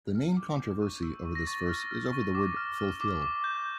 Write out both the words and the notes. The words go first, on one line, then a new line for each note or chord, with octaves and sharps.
The main controversy over this verse is over the word fulfill.
F6
D6
G6
C#6
E6
C#6
A#6
C#6 A6
F6
F6
C#6
D6
F6
F6
D6
D6
G6